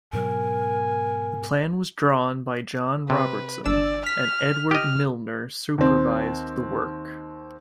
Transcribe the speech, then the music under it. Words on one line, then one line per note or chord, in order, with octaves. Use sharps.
The plan was drawn by John Robertson and Edward Milner supervised the work.
G#2 B2 F#3 A#4 G#5
C3 B4
G1 D4 D5 E6
F6 B6
G4 D#5 F6
D#2 C4